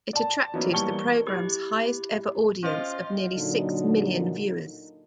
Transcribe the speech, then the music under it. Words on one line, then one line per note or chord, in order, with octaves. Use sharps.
It attracted the programme's highest ever audience of nearly six million viewers.
D5 A5
E3 F#3 A#3 B3 C#4 D#4
E3 G3 A#3 A5 C#6 G7
E4 G4
C#4 F4 C5 D#5
A#2 D3 F#3 A#3 D#4